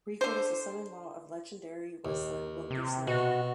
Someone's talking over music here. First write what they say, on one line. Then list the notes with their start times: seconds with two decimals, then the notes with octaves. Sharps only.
Regal is the son-in-law of legendary wrestler Wilbur Snyder.
0.21 D3 C5
2.05 D#2
2.71 C3
3.07 B2 F#4